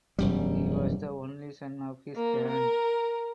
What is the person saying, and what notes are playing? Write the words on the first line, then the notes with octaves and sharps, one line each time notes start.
He was the only son of his parents.
E1 F#2 G3
A#3
A#4